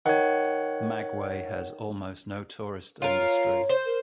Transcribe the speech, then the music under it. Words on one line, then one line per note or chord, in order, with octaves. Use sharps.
Magway has almost no tourist industry.
D#3 C#5 F#5
F4 A#4 C#5
C5
A#4